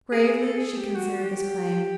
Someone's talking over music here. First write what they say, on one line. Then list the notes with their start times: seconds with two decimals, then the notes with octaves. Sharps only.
Gravely she considered this claim.
0.12 G#4
0.40 A4
0.58 G#4
0.77 G4
0.95 F#4
1.23 G4